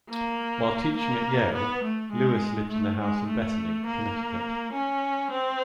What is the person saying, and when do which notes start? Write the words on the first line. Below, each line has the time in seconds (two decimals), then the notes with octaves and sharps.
While teaching at Yale, Lewis lived in a house in Bethany, Connecticut.
0.10 A#3
0.97 A#3
1.55 B3
1.84 A3
2.12 G#3
2.70 A3
2.99 G#3
3.28 A3
3.86 A#3
4.73 C#4
5.31 C4